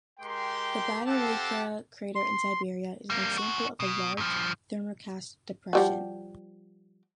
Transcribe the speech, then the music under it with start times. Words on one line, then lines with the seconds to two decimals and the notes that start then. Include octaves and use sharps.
The Batagaika crater in Siberia is an example of a large thermokarst depression.
0.20 G#3 G4 A#4 G5 C6
1.06 C4 G4 A4 F5 F#5 A5
2.15 C6
3.10 G3 A#3
3.38 G#2 F#4
3.80 B2
4.17 G2 F3
5.73 F3 G3 F#4